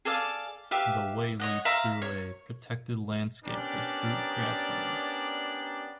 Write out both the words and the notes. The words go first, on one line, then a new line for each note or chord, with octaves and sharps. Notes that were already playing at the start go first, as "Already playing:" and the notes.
The way leads through a protected landscape with fruit grasslands.
G#4 A4 D5 F5
G4 B4 E5 F5
C#5 D#5 F#5
E5 F5 A#5 C6
C#5
B3 C#4 D4 G4 A#4 D5